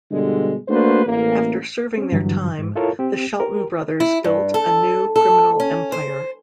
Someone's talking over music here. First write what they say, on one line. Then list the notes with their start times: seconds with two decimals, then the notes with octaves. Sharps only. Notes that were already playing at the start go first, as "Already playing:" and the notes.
After serving their time, the Shelton brothers built a new criminal empire.
0.11 G2 B2 D3 G3 G#3
0.68 A3 A#3 D4 F#4 B4 C5
1.06 A1 A#3
1.98 C4 C#4
2.12 G2 D3 E3 F#3
2.59 G#2
2.76 E4 F4 A4 A#4 C#5
2.99 C4 G4
3.39 G4 A#4
4.00 E4
4.24 G2
4.54 A4
5.16 A4
5.60 C#4
5.92 C5